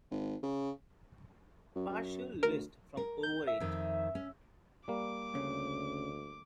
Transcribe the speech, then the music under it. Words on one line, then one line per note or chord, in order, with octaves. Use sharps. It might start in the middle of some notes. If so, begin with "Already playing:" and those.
Partial list from over eighty.
G#1
C#3
F#2
F#2
D2 A#4
A#4
G6
E5
F2 D#3
C#4
G3 A#3 D6
D2 C#3